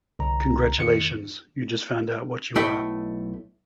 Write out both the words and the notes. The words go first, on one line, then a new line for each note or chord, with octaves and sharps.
Congratulations, you just found out what you are.
C2 D3 A#5
F2 D#3 C#7
B1 A3 E4 D#5 G5